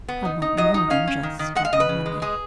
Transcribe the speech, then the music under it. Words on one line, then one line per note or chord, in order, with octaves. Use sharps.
I want more than just that money.
B3
D#4
D#4
F#3 D#5
D#4
C#4 F5
C#4
D#3
D#3
G#3 F#5
F5
C#3 D#5
B4
C#3
G#3
G#3 G#4